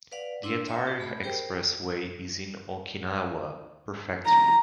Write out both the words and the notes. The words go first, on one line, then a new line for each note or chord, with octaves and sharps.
The entire expressway is in Okinawa Prefecture.
B4 D5 F5 F#5
D4 E4 C6 E6
C#5 E5 G#5 C6 D6
F#4
A3 G#4 B5
G4 A#4 C5 G5
A#5